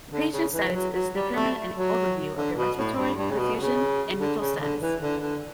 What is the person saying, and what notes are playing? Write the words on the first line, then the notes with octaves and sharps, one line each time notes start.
The patient's status is determined an overview of their respiratory, perfusion, and mental status.
D3
C#3
E3
F#3
F#3
G3
A3
F#3
D3
B2
A2
G2
G2
C#3
B2
C#3
D3
C#3
D3
E3
D3
D3